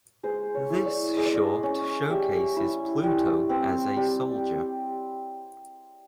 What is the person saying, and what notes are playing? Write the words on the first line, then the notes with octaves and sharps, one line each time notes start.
This short showcases Pluto as a soldier.
G#3 C5
C#5
E4
D5
G#3 D#5
D5
D#5
C#4
G3 E5
E4
G3
C4
G3